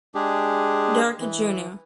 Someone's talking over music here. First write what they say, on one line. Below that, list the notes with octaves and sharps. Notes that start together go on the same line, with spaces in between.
Durkee Jr.
G#3 D4 G4 G#4
E3